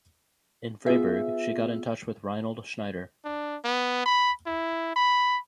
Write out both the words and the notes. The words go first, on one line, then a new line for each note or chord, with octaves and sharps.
In Freiburg she got in touch with Reinhold Schneider.
B3 F4 G#4 E5
D4
B3
B5
E4
B5